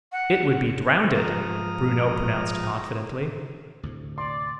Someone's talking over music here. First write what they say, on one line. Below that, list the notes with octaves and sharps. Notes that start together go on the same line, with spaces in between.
"It would be drownded," Bruno pronounced confidently.
F#5
G#2 F3 A#5 D#6 F6
D2 A2 C3
D5 C6